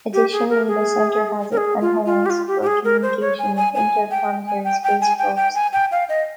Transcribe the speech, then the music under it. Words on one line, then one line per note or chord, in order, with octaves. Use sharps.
Additionally, the center has antennas for communication with interplanetary space probes.
G4
G#4
A#4
G#4
A#4
G#4
F4
F4
G4
F4
G4
G4
G#4
A#4
C5
C#5
G#5
G#5
G#5
G5
G#5
G5
G5
G#5
G5
G5
G#5
G5
F5
D#5